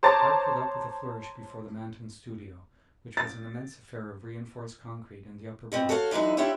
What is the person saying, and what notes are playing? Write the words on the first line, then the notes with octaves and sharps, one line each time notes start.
The car pulled up with a flourish before the Manton studio, which was an immense affair of reinforced concrete in the upper Bronx.
C5 C#5 A5 A#5 D6 A6
A6
B2 F3 C4
F#4 A4 C#5 D5 F5
D3 E3 F#3 D#4 E4
D4 E4 F4 G4 C#5 E5